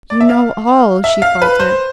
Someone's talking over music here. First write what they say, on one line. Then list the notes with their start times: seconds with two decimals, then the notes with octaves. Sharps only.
"You know all!" she faltered.
0.10 D5
0.21 E5
0.29 F5
1.04 E5
1.22 F5
1.42 B4
1.60 C5